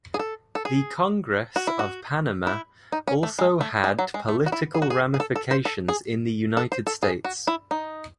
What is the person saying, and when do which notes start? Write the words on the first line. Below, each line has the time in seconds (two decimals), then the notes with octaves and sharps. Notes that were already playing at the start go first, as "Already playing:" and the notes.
The Congress of Panama also had political ramifications in the United States.
0.14 G#4
0.19 A4
0.55 A4
0.65 G#4
1.56 F#4
1.67 E4
1.79 F#4
2.47 E4
2.92 D#4
3.08 C#4
3.23 A3
3.39 G#3
3.61 A3
3.84 G#3
3.99 F#3
4.14 G#3
4.29 A3
4.46 F#4
4.52 E4
4.74 G#4
4.82 F#4
4.90 G#4
5.14 G#4
5.20 A4
5.36 A4
5.51 C5
5.65 A4
5.88 G#4
6.57 A4
6.72 C5
6.87 A4
7.03 G#4
7.25 F#4
7.47 E4
7.71 D#4